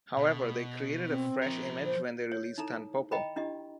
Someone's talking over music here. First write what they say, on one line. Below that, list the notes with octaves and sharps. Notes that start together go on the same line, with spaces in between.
However, they created a fresh image when they released "Tanpopo".
B2
C4
F3 A#4
C5
C#5
D#4 E4 A4 A#5
D#5 G5 A#5 B5
D4 E4 G4 D#5